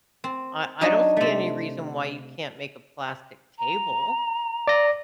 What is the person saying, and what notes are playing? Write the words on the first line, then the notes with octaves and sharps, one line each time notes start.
I I don't see any reason why you can't make a plastic table.
C4
F#3 D4 D#4 C#5 D#5
C3 A3
A#5
D5 A#6